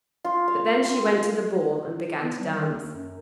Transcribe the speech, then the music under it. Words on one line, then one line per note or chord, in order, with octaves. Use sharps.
But then she went to the ball and began to dance.
F4
F5
C6
B3
G3
D#3
D#2
F#2